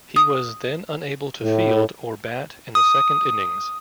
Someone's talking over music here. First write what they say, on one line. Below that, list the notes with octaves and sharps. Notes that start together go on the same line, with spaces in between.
He was then unable to field, or bat in the second innings.
D#6
A2
D#6